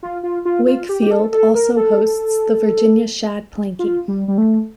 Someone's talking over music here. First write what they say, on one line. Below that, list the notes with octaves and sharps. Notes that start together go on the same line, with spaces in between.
Wakefield also hosts the Virginia Shad Planking.
F4
F4
F4
F4
G4
G4
A4
A4
A#4
A4
F4
G3
G3
A3